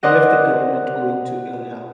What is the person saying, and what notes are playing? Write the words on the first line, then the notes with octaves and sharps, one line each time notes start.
He left the government owing to ill health.
A#4 C5 D5 D#5 F#5 A#6